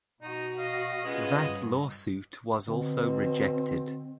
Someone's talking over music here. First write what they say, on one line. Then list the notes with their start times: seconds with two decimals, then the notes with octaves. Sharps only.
That lawsuit was also rejected.
0.22 B2 D#4 F#4
0.58 D#5 F5
1.04 C#3 G#3 B3 F4 D#5
1.44 G2
2.68 B2 D3 C4